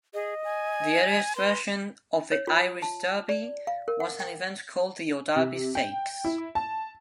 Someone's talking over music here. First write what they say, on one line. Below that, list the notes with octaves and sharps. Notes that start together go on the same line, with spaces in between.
The earliest version of the Irish Derby was an event called the O'Darby Stakes.
G#4 D#5
G#5
B4 C6
C#5
F4
A5
D5
F5
A#4
F#5
G5
C3
G5
E4
A5